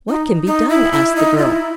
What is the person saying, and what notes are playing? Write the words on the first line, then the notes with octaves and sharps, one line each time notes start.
"What can be done?" asked the girl.
D#4
D#4
E4
E4
D#4
F4
E4